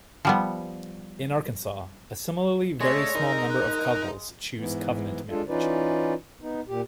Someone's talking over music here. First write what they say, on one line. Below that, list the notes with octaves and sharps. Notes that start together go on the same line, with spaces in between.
In Arkansas, a similarly very small number of couples choose covenant marriage.
F3 G3 B3
G#3 A3 C#5 D5 E6 A#6
D#4 A#4 C#6
F#6
G#2 E3 B3
G#3 D4 F4 A4
E3 C#4 D#4 F4 B4 D5
B3 D#4
A#2 G4